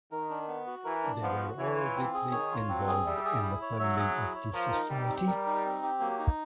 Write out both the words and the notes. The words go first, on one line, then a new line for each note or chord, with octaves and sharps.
They were all deeply involved in the founding of the society.
D#3 A#4
D4
B3
F#4
E3 A#4
D4
F3 B3
F#4
E3 C#5
F4
C4
G#4
D#3 C#5
F4
F#3 C4
G#4
G3 E5
G#4
E4
C#5
F#3 E5
G#4
E4
C#5
F3 A#4
D#4
G3 C4
G4
G3 A#4
D#4
C4
G4
F#3 A#3
D#4